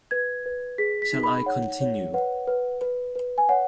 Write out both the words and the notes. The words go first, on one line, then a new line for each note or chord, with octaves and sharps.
Shall I continue?
B4 G#6
B4
G#4 B6
B6
D#4
B5
C#5 F#5
C#5
B4 F#5
B4
B4
B4
G#5
C#5 F#5